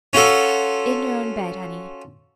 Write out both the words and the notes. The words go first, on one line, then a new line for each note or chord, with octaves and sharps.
"In your own bed--honey."
C#4 F4 F#4 A4